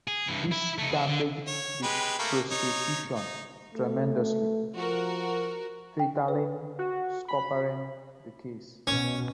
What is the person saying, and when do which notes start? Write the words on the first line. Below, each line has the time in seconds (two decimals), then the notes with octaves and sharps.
This damaged the prosecution tremendously, fatally scuppering the case.
0.08 G#4
0.28 G2 E3
0.52 E4
0.78 A3 D#4
0.92 G#4 E5
1.08 D3
1.47 C#5
1.83 G#3 G4 B4
2.19 A3 A#3
2.51 D#4 C#5
3.15 D#4
3.75 A3
4.75 F3 F#4 A#4
5.99 G5
6.28 B4
6.79 F#4
7.28 B5
8.87 B2 C#4